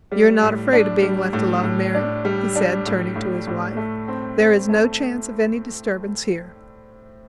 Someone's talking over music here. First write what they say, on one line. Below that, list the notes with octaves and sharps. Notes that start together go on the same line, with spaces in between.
You are not afraid of being left alone, Mary?" he said, turning to his wife. "There is no chance of any disturbance here.
G3
A2
D4
G3
A2
A2
D4
G3
D4
A2
A2
A2
A3
C4
C4
A3